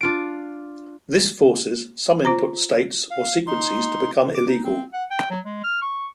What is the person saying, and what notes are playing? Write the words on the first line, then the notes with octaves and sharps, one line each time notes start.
This forces some input states or sequences to become illegal.
D4 F4 D7
F4 C5 A#5
F5
D#4 C6
D6
D#4
C4
F#5
G5
F#3
G#3
F6
C#6